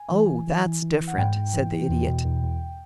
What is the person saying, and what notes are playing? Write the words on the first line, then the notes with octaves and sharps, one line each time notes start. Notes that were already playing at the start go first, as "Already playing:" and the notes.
"Oh, that's different," said the Idiot.
Already playing: G#5
E3
E3
E3
E3
E3
E3
F#5
G#2 G5
G#2
E3
E3
E2
B2
E2
E2